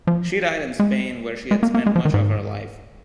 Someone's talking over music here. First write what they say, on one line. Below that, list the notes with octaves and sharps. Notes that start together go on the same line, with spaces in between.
She died in Spain where she had spent much of her life.
F3
G#3
G#3
A#3
A#3
G#3
F3
D#3
G#2